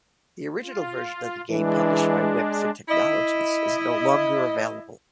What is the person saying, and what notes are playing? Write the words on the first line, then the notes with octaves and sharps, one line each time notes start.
The original version of the game published by Webfoot Technologies is no longer available.
F4
E3 G#3 D4
E4 D#5